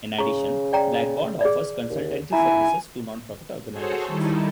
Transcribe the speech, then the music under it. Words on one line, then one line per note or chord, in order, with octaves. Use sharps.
In addition, Blackbaud offers consultancy services to nonprofit organizations.
C#3 A#5 C#6
D5 G5 A#5
G#4 D5
D#2
E4 G#5 A#5
F#4 G#4 A4 C5 C#5
D#3 G3 D#4 E4 A4